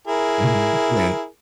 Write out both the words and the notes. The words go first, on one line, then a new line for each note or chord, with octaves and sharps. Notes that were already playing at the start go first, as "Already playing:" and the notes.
Mhm. Yeah.
E4 G#4 A#4